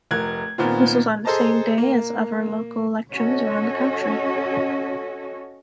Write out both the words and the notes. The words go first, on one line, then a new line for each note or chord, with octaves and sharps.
This was on the same day as other local elections around the country.
F1 A#4 F#6 G#6
A#2 D#3 B3 C4 F4
G#4 A4 C5 D#5 A5 A#5
A#3
C#4 F#4 A4 C#5 D#5